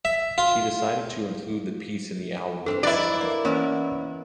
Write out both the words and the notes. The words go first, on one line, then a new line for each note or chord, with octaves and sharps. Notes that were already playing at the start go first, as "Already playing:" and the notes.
She decided to include the piece in the album at the last moment.
E5
F4
G2 C4 A4
D#4 E4 F#4 B4 D5
A#3
E3 A#3 B3 C#4 A#4 C#5